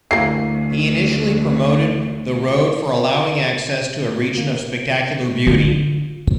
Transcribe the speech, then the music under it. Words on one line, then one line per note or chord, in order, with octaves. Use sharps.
He initially promoted the road for allowing access to a region of spectacular beauty.
D2 E3 A#3 C7
A#3
D3 F4